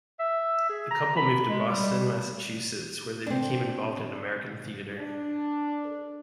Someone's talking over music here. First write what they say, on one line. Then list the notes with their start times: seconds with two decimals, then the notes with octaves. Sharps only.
The couple moved to Boston, Massachusetts, where they became involved in American theatre.
0.20 E5
0.69 G#4
0.91 A#5
1.17 B5
1.49 G#3
1.70 G3
3.27 C4 D4
4.98 D4